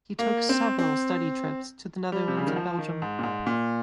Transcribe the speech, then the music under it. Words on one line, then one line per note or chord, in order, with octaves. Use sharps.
He took several study trips to the Netherlands and Belgium.
A#3
C4
C4
G3
C3
C#3
D#3
F3
D#3
G#2
A#2
G#2
A#2